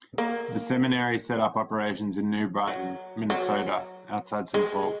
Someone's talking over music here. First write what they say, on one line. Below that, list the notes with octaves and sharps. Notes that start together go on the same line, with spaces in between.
The seminary set up operations in New Brighton, Minnesota, outside Saint Paul.
A#3
F#3
F#3
G#3